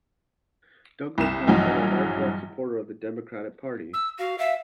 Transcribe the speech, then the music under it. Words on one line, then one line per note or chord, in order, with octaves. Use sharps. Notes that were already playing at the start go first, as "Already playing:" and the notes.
Douglas has been a lifelong supporter of the Democratic Party.
C2 E4 E7
A#1 G2 E3 F#3 D#5
E6
F#4 F5
E5 F5